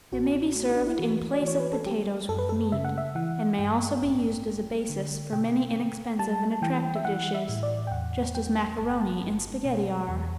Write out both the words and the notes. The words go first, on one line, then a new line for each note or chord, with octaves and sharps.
It may be served in place of potatoes with meat, and may also be used as a basis for many inexpensive and attractive dishes, just as macaroni and spaghetti are.
A1 F#4
A3
D4
E4
E3 F#4
D5
E3 C#5
B4
A4
G3 G4
F#2 A4
B4
A4
C#3 E5
F#5
E5
E3 F#5
G2 G5
A1
A3
D3
B2 G5
A3
G3 A5
E3 G5
E5
E3 F#5
E5
A2
D5
G5
E2 F#5
G3 G5
G1 A5
G5
A5
G1
B2
E2